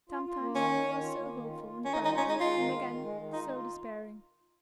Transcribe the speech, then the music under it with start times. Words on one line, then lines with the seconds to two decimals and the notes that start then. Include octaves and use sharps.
Sometimes he was so hopeful and bright, and again so despairing.
0.10 F4
0.25 F4
0.39 A#3
0.55 D#3 C#4
0.71 D#3
0.86 D#3
1.01 F4
1.17 A#3
1.33 D#3
1.48 F4
1.64 F4
1.78 D#3
1.85 C#4
1.94 D#3 D#4
2.05 D#4
2.09 F4
2.17 C#4
2.24 G#3
2.29 D#4
2.40 G#3 F4
2.55 D#3
2.71 F4
2.87 D#3
3.02 G#3
3.17 D#3
3.33 D#4 F4
3.49 F4